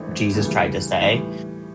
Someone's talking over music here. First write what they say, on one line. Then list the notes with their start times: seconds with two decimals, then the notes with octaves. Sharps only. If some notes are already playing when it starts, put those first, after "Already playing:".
Jesus tried to say,
Already playing: G#1 G2 E3 A3 C4
0.33 D2 C#3 E3 G3
1.01 A2 E3 G3